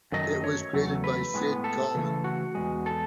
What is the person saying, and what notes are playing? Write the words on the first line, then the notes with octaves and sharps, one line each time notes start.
It was created by Sid Colin.
F#2 D#3 F#3 A3 D#5
C#5
E2 C#3 F#3 A3
B4
A2 G#3 B3
A4
C#3 E3 A3
F#4
E2 C#3 G#3
A4